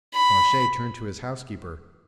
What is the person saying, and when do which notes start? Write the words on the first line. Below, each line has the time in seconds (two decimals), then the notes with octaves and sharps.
Planchet turned to his housekeeper.
0.14 B5